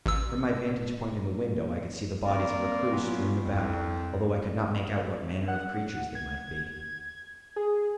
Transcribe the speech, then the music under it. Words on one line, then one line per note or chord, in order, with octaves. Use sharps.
From my vantage point in the window I could see the bodies of her crew strewn about, although I could not make out what manner of creatures they might be.
A1 E6
A#3 C4 A#4 D5
F#3 B3 C#4 F4
C2 F2
F#5
G#6
G#4